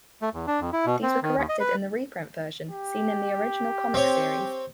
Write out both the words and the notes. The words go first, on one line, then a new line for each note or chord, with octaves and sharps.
These were corrected in the re-print version, seen in the original comic series.
A3
E2
D4
F2
E4
B2
C4
D#3
D#2
D#5
B4
G4
C4 C#5